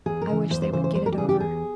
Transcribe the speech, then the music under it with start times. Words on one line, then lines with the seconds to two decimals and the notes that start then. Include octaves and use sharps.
I wish they would get it over!
0.06 E2 G#4
0.21 A#4
0.29 C#3 E3
0.50 E2 C5
0.62 C5
0.73 C#3 E3 C5
0.84 C5
0.95 E2 C5
1.06 A#4
1.12 G4
1.17 C#3 E3 G#4
1.29 G4
1.40 E2 G#4